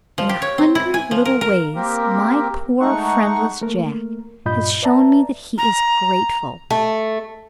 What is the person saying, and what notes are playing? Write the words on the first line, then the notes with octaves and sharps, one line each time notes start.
In a hundred little ways my poor friendless Jack has shown me that he is grateful.
F3
G4
C#5
C4
E4
G#5
F3
A#4
A#4
A#3 C4 G4 A#4
G#3 A3 D#4 F#5 C#6
A3 A#3 A#4
G2 A#2 F4 D#5 B5 G6
B4 D5 E5 A5 A#5
A#5
A3